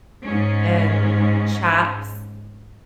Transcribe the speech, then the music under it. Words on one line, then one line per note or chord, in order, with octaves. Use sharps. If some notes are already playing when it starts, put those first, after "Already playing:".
And shops
G#2 G#3 C#4